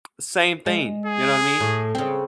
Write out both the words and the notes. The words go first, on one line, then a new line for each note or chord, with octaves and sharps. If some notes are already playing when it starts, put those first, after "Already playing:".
same thing, you know what I mean?
G#3
G#4
A2
C#3 C4